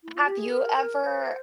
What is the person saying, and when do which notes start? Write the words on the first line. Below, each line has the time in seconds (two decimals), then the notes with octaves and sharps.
Have you ever
0.03 E4
0.15 F4
0.26 G4
0.38 G#4
0.50 A#4
0.77 A#4
1.03 C5